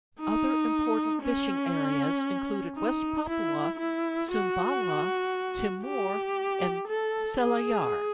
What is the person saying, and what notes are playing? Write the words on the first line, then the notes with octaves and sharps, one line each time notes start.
Other important fishing areas included West Papua, Sumbawa, Timor and Selayar.
D#4
C#4
D#4
E4
E4
F#4
G4
A4
G#4